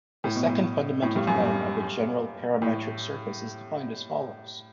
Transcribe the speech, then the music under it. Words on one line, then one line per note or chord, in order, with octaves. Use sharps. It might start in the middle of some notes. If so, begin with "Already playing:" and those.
The second fundamental form of a general parametric surface is defined as follows.
A2
B2
A2
A2
G2
F#2
G2
A2